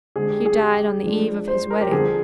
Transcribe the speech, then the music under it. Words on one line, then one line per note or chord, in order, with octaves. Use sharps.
He died on the eve of his wedding.
D3 G#3 C4 G#4
G4
G#4
G4
F3 G#3 D4
C5
A#4
G4
D3 F3 C4 G#4